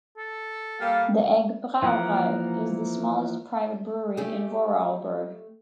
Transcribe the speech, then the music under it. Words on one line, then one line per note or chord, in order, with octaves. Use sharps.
The Egg Brauerei is the smallest private brewery in Vorarlberg.
A4
G3 A#3 F5
E3 F3 A#3 A#4 F#5
A3 G4 G#4